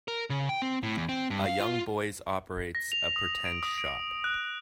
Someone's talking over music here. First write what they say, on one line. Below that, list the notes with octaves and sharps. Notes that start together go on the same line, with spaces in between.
A young boys operates a pretend shop.
A#4
C#3
G5
C4
A2
E2
C4
G2
F5
F4
A#6
F7
D#6
D7
D#6
D7
F#6